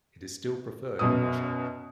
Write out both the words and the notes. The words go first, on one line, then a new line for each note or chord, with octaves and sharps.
It is still preferred in Russia.
F#2 B2 D#6